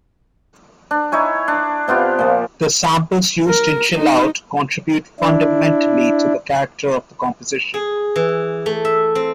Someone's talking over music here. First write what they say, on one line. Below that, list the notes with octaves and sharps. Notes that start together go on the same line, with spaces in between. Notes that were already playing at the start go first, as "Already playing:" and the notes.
The samples used in "Chill Out" contribute fundamentally to the character of the composition.
D4
D#4 E4 C#5 G#5
D4
C3 B3 F4 G4
A#2 F3
A#4
D#4
D4 E4
G#4
E3
A3
E5
C4